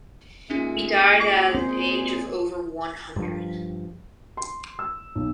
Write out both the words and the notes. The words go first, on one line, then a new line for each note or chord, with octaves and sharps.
He died at an age of over one hundred.
A#2 G#3 C#4 D#4 F4 G#4 E5
D6
C4 C5
G2 F3
C6
E6
B1